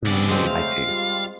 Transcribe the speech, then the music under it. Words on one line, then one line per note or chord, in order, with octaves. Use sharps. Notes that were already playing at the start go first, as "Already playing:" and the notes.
Mm, I see.
C#3 B3 C4 D5
B2 E3 G#3 C4
C#3 A3 C5 F5
G3 F4